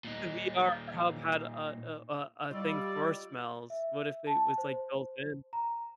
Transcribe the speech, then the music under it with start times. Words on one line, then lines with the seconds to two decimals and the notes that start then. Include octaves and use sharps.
if the VR hub had, uh, uh, uh, a thing for smells? What if it was, like, built in?
0.05 A#2 D#4
2.51 G3 F4 D5 D#5 C#6 E6
3.70 E5
4.27 A5
4.58 C5
5.53 A#5